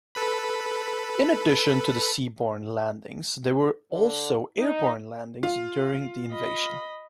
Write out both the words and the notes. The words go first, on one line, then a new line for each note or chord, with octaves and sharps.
In addition to the seaborne landings, there were also airborne landings during the invasion.
A4 B4 B5
D3
D#4
F4
D#5 B5